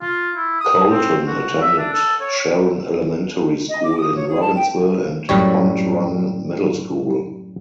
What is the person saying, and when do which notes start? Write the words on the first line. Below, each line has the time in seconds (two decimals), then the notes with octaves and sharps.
Colton attended Sharon Elementary School in Robbinsville and Pond Run Middle School.
0.01 F4
0.36 E4
0.60 D#6
0.91 C4
1.27 F#4
1.61 E5
1.78 D4
1.93 A4
2.20 C#5
3.69 D#5
3.84 D6
3.98 D#6
4.16 C#5
4.28 G#4
4.41 A5
4.55 G5
5.29 F#2 A2 G3 C#5